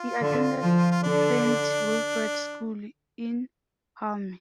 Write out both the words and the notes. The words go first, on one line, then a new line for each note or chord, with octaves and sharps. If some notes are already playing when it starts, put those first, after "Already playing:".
He attended Saint Wilfred's School in Hulme.
Already playing: F4
D3
F3
F4
D3 D4